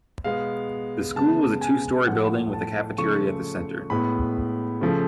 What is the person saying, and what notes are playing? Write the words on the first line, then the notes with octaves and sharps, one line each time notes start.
The school is a two-story building with a cafeteria at the center.
B2 G#3 B3 F5
C#3 G#3 B3 A5
G#5
A2 F3 A3 F#5
A5
C#3 F3 A3 C#6
A2 G#3 B3 B5
C#3 F3 A3